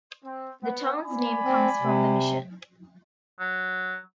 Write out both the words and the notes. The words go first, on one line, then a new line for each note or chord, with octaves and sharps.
The town's name comes from the mission.
C4
B3 F#5
D5 G#5 B5
C4
C3
F#3